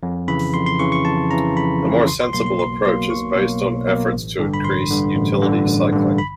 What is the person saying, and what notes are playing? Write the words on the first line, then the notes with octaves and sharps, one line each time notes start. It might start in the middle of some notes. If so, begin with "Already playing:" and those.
The more sensible approach is based on efforts to increase Utility cycling.
F2
C#3 E3 B5
F2 C6
C6
C#3 E3 C#6
C#6
F2 A5
C#3 E3 A#5
F2 B5
C#3 E3
B1 C6
C6
B2 F#3 A#3 C6
C6
B1 C6
B2 F#3 A#3 C6
B1 C#6
B2 F#3 A#3
B1
B2 F#3 A#3
A1
G2 D3
B5
A1 C6
G2 D3
A1
G2 D3
A1
G2 D3
B5